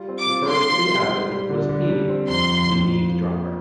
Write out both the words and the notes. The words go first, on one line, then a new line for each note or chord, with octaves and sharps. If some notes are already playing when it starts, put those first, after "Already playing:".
The first to be added was Eve, the eavesdropper.
Already playing: G3 F4
C4
D6
F4
F4 C6
F4
G3
G3
G3
D3
D3
G3
C4
F2 C6
F2
F2
F2
F3
A#3